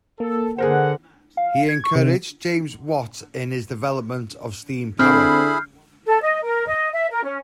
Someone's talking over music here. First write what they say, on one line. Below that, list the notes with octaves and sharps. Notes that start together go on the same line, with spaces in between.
He encouraged James Watt in his development of steam power.
A#3 A4
D3 G#4 A#4 C5 F#5
F5
G#6
C#6
C3
D3 C4 E4 G#4 B5 F6 G6 C7
A4
D#5
A#4
D#5
E5
A#4
C#4